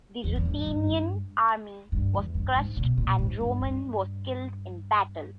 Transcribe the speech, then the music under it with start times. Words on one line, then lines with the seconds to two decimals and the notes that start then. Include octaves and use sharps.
The Ruthenian army was crushed and Roman was killed in battle.
0.24 E2
0.36 E2
0.45 G2
0.66 G2
0.87 G2
1.92 G2
2.14 E2
2.34 G2
2.56 G#2
2.77 B2
2.98 A#2
3.19 G#2
3.40 G2
3.61 G2